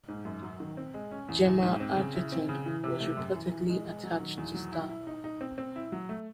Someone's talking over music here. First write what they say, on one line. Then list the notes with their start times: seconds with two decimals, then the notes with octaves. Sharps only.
Gemma Arterton was reportedly attached to star.
0.08 G#2
0.25 F#2
0.42 F#3
0.60 D#3
0.77 C4
0.94 G#3
1.11 C#4
1.29 E2
1.46 E2
1.62 G#2
1.80 C4
1.97 C#3
2.14 E4
2.32 C4
2.49 C#3
2.66 E3
2.84 C3
3.00 A3
3.17 F#2
3.35 E3
3.52 E3
3.70 G#3
3.86 G#3
4.04 F#3
4.20 D#3
4.37 E2
4.55 F#3
4.72 E4
4.89 E4
5.07 D#4
5.24 D#4
5.41 C4
5.58 C4
5.76 E4
5.92 F#3
6.09 A3